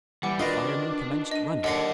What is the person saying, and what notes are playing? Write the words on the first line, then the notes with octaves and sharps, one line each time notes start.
A fireman commenced running.
E3 G3 F#5 D6
D#3 D4 F4 F#4 B4 A#6 C7 G7
D#5 D#7
D#2 D3 A#4 D#5 F#5 A5 C7